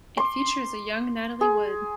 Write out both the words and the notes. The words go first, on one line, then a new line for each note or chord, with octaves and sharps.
It features a young Natalie Wood.
C6 D6
G#4